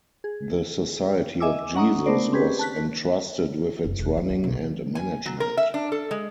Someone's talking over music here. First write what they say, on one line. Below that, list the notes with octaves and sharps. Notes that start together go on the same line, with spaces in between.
The Society of Jesus was entrusted with its running and management.
G#4
D#5 E5 G#5 D6 E6
C#4 F#5 A#5 C#6 D#6
A3 B3 D4 A#4 C5 D5
C4 C#4 G4 G#4 B4
A5 F#6 B6
F#1
E1
E4
D2
B1
G#5
F#3
A#4
E5
D4
A4
G#3